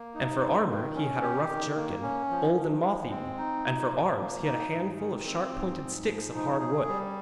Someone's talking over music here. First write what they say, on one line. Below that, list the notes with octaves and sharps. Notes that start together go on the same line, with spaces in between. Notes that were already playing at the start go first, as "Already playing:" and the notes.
And for armour he had a rough jerkin, old and moth-eaten, and for arms he had a handful of sharp-pointed sticks of hard wood.
Already playing: A#3
D#4
G2
D#3
C#4
G4
D#3
A#3
C#4
F3
F3
G#3
C4
D#4
A#2
F3
A#3
D#4
G#2
D#3
C4
G#2
G#2
F3
D#4
G#4
G3